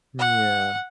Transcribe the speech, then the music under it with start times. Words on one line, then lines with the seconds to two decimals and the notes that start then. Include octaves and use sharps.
Mm, yeah.
0.19 F#5